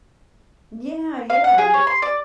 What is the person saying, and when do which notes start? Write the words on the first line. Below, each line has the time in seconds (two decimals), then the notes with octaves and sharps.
Yeah, yeah.
1.30 F5
1.44 F#5
1.58 G#4
1.74 C#5
1.87 C6
2.02 D5